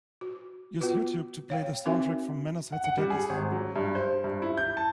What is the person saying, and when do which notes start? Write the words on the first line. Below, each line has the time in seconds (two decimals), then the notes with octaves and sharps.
Use Youtube to play the soundtrack from Manos Hadzidakis.
0.21 F#4
0.80 B3 F4 F#4 B4
1.50 C#5 F5 G5
1.86 C4 D#4 F#4 A#4 E5 G#5
2.72 F#5
2.84 F#5
2.98 G3
3.10 G#4
3.29 G#1
3.52 F#3
3.76 G2
3.95 C5
4.24 G2
4.42 E4
4.57 G6
4.77 A5